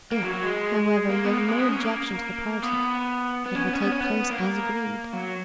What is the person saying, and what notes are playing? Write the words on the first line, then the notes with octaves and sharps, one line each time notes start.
If, however, you have no objection to the party, it will take place as agreed.
A#3
F#3
F#3
G#3
A#3
B3
A#3
G#3
B3
C#4
A#3
B3
B3
C#4
B3
C#4
B3
C#4
B3
A#3
F#3